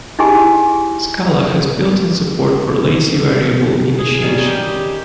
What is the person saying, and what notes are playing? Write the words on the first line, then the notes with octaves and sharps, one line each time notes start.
Scala has built-in support for lazy variable initiation.
D#4 E4 G4 G#4 G#5 A5
G#4
D#3 G3 C#4
G4